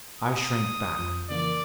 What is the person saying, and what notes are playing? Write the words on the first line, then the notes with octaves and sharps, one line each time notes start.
I shrank back.
D#6
F2 F3 G6
C#3 E3 A#3 D5